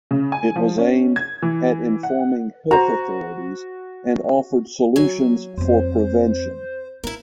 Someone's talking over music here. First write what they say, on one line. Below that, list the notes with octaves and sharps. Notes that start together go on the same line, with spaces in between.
It was aimed at informing health authorities and offered solutions for prevention.
C#3
G#5
F3
C#4
G#6
E3
F#5
F#4 C5 A#5
F#3 G#5
F2 C4 C5
A#3 E4 A#4